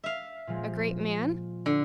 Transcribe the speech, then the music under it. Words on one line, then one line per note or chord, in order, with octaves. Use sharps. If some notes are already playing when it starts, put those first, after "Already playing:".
A great man?
E5 F5
A#2 F3 G#3
D3